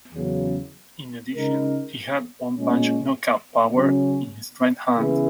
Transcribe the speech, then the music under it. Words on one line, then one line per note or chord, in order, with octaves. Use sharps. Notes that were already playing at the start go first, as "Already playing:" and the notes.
In addition he had one-punch knockout power in his right hand.
E2 C#3 F#3
C#3 G#3 D#4 A#4
A#2 G#3 C#4
C#3 F#3 C#4
C#3 E3 B3 E4 G#4